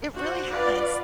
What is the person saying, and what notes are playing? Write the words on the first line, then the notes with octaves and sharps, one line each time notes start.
It really has,
D4 F#4 C5 F#5
D4 F4 B4 D5 F5 F#5